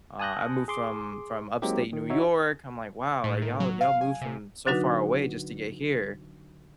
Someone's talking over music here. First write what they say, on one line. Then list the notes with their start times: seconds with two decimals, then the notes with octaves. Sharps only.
uh, I moved from from Upstate New York." I'm like, "Wow, like, y'all y'all moved from so far away just to get here."
0.19 G#5 A5 D#6 F#6 G6 A#6
0.68 G#4 C6 D6
1.62 F#3 G#3 A#3 C4 D#4 G4
1.93 D#3
2.10 D#4 F#4 C#5 E5
3.24 A2
3.42 D#3
3.60 F#3
3.81 F5
4.01 G#5
4.21 C3
4.67 D3 F#3 D4 D#4 F#4 B4